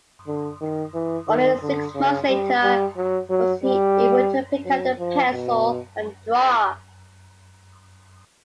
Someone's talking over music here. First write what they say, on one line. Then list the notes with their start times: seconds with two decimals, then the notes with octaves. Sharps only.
Only six months later was he able to pick up a pencil and draw.
0.27 D3
0.61 D#3
0.94 E3
1.28 D#3
1.62 D3
1.95 C#3
2.29 G3
2.62 G3
2.97 F#3
3.30 F#3
3.63 G3
4.65 F#3
4.98 F3
5.32 B2